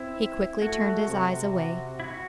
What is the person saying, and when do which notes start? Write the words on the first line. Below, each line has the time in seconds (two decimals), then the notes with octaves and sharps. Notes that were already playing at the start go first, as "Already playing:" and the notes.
He quickly turned his eyes away.
Already playing: C4 E4
0.61 A3 F#4
1.08 C3
2.00 E4
2.04 F#4